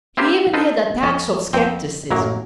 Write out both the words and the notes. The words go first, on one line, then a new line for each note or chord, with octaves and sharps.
He even had attacks of scepticism.
C4 E4 F4 G4 A#4 C5
D#4 F4 A4 B4 C5 D#5
F2 D#5 A5
F2 C4 G5
A1 F#2 F#3 A#3 A#4